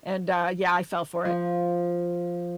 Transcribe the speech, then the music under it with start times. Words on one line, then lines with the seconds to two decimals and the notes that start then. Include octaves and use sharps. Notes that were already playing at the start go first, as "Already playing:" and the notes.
and, uh, yeah, I fell for it,
1.25 F3